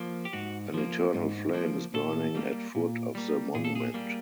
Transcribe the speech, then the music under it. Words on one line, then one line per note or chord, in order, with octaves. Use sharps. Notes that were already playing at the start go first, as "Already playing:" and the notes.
An eternal flame is burning at foot of the monument.
Already playing: F3 A#3
G4
G#2 F#4
F3 A#3
G#2
F3 A#3
A#2 A4
G3 A#3
A#2
G3 A#3
A#2 G#4
A4
G#4
G3 A#3